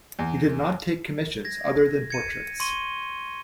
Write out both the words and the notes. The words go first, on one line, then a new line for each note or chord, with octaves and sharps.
He did not take commissions other than portraits.
E2
G#6 A#6
G#6 C#7 D#7
C6 C#6 D#7 G7